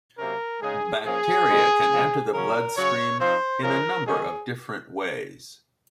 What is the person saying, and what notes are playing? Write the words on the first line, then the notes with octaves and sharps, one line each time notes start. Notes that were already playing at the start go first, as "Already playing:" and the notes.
Bacteria can enter the bloodstream in a number of different ways.
C3 F#3 A#3 C#4 A#4
C#3 G#3 D#4 G#4
F3 A#3 C#4 G#4
A#2 G#3 C4 D#4
C#3 F3 G#3
C#3 F#3 C#4 A#4
C#3 F#3 C#4 C#5
F3 C4 D#4 C5
C#3 F3 G#3 C#4 A#4
D#3 F#3 A#3 C#4 G#4